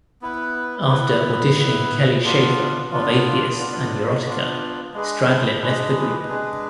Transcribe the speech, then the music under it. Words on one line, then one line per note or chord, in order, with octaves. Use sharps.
After auditioning Kelly Shaefer of Atheist and Neurotica, Stradlin left the group.
B3 E4 B4
B3 E4 B4
B3 E4 B4
B3 D4 F4
B3 D4 F4
B3 D4 F4
B3 D4 F4
G#3 D4 G#4 B4
G#3 D4 G#4 B4
G#3 D4 G#4 B4